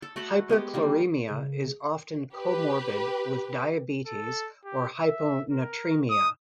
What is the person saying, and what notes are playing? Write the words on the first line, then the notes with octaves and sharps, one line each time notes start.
Hyperchloremia is often comorbid with diabetes or hyponatremia.
A4
A3 F#4 A4 B5
G#3 B3 G4
D#3 G3 A#3
C#3
G4 B4
A4
G4
E5
A#4
D#6